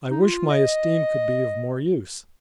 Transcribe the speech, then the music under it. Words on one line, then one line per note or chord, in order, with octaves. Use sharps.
I wish my esteem could be of more use.
D#4
F4
D#5